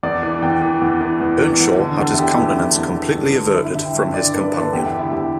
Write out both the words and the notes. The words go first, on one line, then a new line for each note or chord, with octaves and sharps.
Earnshaw had his countenance completely averted from his companion.
E2 D5
E3
E2 G5
E3
E2
E3
E2
E3
E2
D3
E2 A4
E4
D3 G4
E2 E4
D3
E2
D3
G2
D3
G2 E4
E4
D3 E5
G5
G2 E5
D3 D5
G2 B4
D5
D3 B4
A4
E2 G4
E4
D3
E4
E2 G4